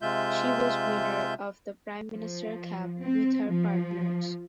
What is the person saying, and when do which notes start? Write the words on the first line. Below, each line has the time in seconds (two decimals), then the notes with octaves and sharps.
She was winner of the Prime Minister Cup with her partners.
0.02 C3 G#3 F4 E5 G6
2.13 F3
3.02 C4
3.48 F3